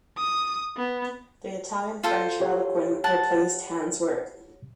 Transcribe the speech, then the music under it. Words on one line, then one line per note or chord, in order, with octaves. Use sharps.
The Italian-French Harlequin replaced Hanswurst.
D#6
B3
F4 A4 C5
G4 C#5
F#5 A5